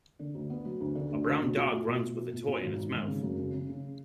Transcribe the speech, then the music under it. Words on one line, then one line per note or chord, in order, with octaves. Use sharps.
A brown dog runs with a toy in its mouth.
D3
D2
B3
F#3
D2
D3
D2
D2
B2
F4
A3
B2
B2
F4
B2
B2
G#1
G#1
G#1
C#3
F#2
C#3
C#3
C#3